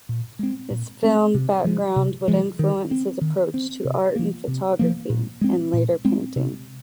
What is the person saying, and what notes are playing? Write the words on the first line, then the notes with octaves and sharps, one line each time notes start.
His film background would influence his approach to art in photography and later painting.
A#2
G#3 C4
A#2
G#3 C4
C3
F3 G#3
C3
F3 G#3
D#3
C4
D#3
C4
C3
F3 A#3
C3
F3 A#3
A#2
G#3 C4
A#2
G#3 C4
C3